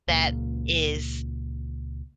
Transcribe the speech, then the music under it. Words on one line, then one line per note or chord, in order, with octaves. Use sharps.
that is
C#2 A#2